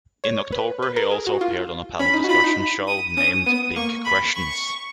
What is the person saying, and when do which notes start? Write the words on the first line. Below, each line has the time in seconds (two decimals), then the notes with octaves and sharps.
In October he also appeared on a panel discussion show named "Big Questions".
0.24 C#5
0.52 B4
0.82 B4
0.96 A#4
1.11 G#4
1.26 F#4
1.41 F4
1.99 C#4 B5
2.13 D#4
2.24 F#4
2.29 F4 B5
2.44 D#4
2.87 D#6
3.17 C#4 D#6
3.46 B3 D#6
3.76 A#3 C#6
4.05 B5
4.34 C#6